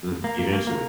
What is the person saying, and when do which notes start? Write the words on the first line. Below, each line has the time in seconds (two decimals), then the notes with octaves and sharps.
Mhm. Eventually.
0.24 A#3
0.39 A#3
0.53 A#3
0.67 A#3